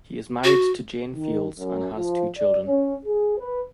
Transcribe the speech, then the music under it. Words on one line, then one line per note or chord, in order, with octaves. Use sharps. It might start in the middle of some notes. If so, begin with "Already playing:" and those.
He is married to Jane Fields and has two children.
F#4
D#3
F#2
F3
D5
C#4
G#4
B4